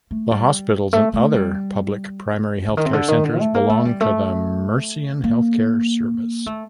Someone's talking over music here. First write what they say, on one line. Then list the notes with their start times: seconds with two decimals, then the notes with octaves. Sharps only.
The hospitals and other public primary healthcare centers belong to the Murcian Healthcare Service.
0.11 A3
0.31 G3
0.93 A3
1.13 A3
1.34 G3
2.68 D3
2.77 D#3
2.85 C3
2.93 D3
3.08 D#3
3.24 D3
3.39 A3
3.55 A#3
3.70 A3
3.85 G3
4.01 A3
5.24 A#3
6.46 A3